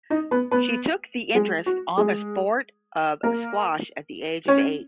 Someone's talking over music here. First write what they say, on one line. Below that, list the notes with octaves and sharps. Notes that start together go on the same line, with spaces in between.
She took the interest on the sport of squash at the age of eight.
D#4 D#5
B3 B4
B3 B4
G#3 G#4
F#4
G#3 G#4
A#3 A#4
C#4 C#5